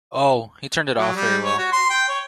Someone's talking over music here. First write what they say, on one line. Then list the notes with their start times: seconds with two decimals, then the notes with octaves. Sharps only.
Oh, he turned it off very well.
0.99 F#3
1.16 G3
1.44 C#5
1.58 F#4
1.72 C6
1.90 G5
2.09 C#5